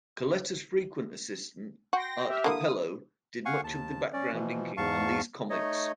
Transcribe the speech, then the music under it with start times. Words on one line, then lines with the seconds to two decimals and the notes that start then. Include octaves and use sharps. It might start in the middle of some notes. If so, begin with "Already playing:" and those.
Colletta's frequent assistant Art Cappello did much of the background inking on these comics.
1.93 F#4 G5 C6 A#6
2.27 G4 E5 F6
2.44 D3 A#3 E4 D#6
3.45 F5 F#5 G#5 C#6
3.64 D#2 A5
4.13 C#4 D5
4.33 B2 E3 F3
4.77 E2 G#2 F5 A5 C#6
5.50 A3 D#4 C#5 D#5